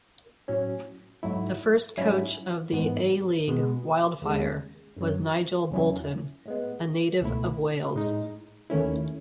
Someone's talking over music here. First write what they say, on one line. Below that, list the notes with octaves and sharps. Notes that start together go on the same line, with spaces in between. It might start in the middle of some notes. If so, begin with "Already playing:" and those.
The first coach of the A-League Wildfire was Nigel Boulton, a native of Wales.
A2 F#3 C#4
G#2 F#3 A3 E4
G#2 F#3 C#4 E4
G#2 E3 B3
B2 G#3 B3
D#2 C#3 G#3
F#2 C#3 F#3
E2 C#3 F#3 C#4 E4
A2 G#3 B3
C#2 B2 A3 E4
A2 G#3 D#4
D#2 D#3 A3 C#4 E4